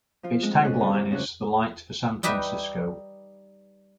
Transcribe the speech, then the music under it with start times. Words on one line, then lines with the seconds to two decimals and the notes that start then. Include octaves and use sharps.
Its tag line is "The Light for San Francisco".
0.23 F3 F4
0.43 G#3 A3 C4
0.64 E2 C#4 A4 D#5 F#6
0.80 G#2 C3 D#3 G3
0.94 G2 C3 E4
1.11 D2 C#3 C#4 F4 G#5 F#6
2.23 G3 D#4 G4 B4 E5